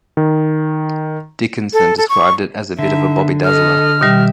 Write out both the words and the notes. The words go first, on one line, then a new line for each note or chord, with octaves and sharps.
Dickinson described it as "a bit of a bobby dazzler".
D#3
A4
A4
C#6
D3 D#4 E5
A4 D#5 F6
B2 D#3 G3 G4 E5